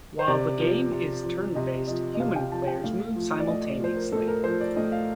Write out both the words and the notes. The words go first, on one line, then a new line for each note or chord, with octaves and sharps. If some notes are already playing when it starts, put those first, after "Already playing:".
While the game is turn based, human players move simultaneously.
C5
C3 D5
F3
C3
F3
C3 D#5
F3 D#5
D#5
C3 F5
G5
F3 A5
G5
A2 F5
F3
D5
A2 D#5
D5
F3 C5
A#4
A2 A4
A#4
F3 C5
D5
A2 D#5
F5